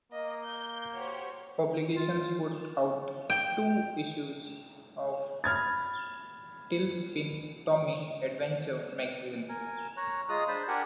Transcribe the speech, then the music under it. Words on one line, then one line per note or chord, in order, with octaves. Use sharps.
Publications put out two issues of "Tailspin Tommy Adventure Magazine".
A#3 D#5
G6
F#4 G4 C5 C#5
F4
G5
B5 F6 G#6 A6
A#4 G#5
C#5 A#5 F#6
G#3 F4 G#4 A#5 D#6 F#6
D4 C5 A5 B5
D4 G4 A#4 F#5 G#5